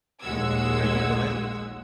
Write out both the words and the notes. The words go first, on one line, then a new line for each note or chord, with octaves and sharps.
a ukulele.
A#1 D#2 G#3 F#5 E6 G#6